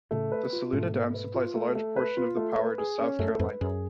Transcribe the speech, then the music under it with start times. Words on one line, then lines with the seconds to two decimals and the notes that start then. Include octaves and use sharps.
The Saluda Dam supplies a large portion of the power to South Carolina.
0.11 A2 C#3 A3
0.32 B4
0.53 F4
0.73 G#2 B2 A3
0.94 A3
1.14 B4
1.34 F4
1.55 A3
1.75 A3
1.96 B4
2.17 F4
2.37 A3
2.58 B4
2.78 G#4
2.99 C#4
3.19 F#2 A3
3.39 F2 G#2 B4
3.61 F#2 G#4